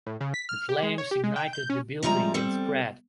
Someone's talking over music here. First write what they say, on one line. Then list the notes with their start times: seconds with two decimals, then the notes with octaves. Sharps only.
The flames ignited the building and spread.
0.06 A2
0.21 C#3
0.34 B6
0.49 F6
0.69 G4
0.83 G#3
0.98 C#5
1.11 G4
1.24 G#3
1.36 G5
1.53 G6
1.70 C#4
2.03 C3 F3 G3 G#3 A#5
2.34 G3 C4 A4